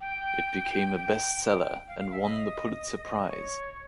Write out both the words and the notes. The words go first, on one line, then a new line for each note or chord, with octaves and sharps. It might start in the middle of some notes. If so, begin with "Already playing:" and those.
It became a best-seller and won the Pulitzer Prize.
G5
G5
G5
G5
F5
F5
E5
D#5
C#5